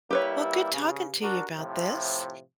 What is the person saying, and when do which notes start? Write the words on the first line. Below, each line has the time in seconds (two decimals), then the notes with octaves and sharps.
Well, good talking to you about this.
0.11 G3 A#3 E4 G4 B4 C#5
0.73 C#3
1.23 D4 F#4 A#4
1.56 A2 C3 F3